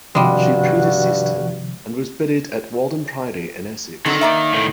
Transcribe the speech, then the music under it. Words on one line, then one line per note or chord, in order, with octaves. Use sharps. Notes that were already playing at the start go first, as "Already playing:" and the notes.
She predeceased him, and was buried at Walden Priory in Essex.
G2 C3 D#3 F3 G3 G#3 F#4
D3 D#3 F#3 C4
A#3 D5 E5
A2 D#3